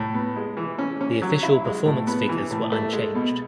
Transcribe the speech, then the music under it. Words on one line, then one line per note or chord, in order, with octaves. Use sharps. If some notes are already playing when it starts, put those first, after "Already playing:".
The official performance figures were unchanged.
Already playing: A2
B3
G#3
E3
C#4
C#4
F#3
E4
G#3
A2
B3
E3
A2
A3
G#3
B2